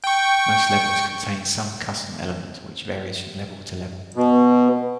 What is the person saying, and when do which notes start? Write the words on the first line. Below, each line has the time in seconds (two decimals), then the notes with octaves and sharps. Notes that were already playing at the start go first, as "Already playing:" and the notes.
Most levels contain some custom element, which varies from level to level.
0.04 G5 C#6
4.16 B2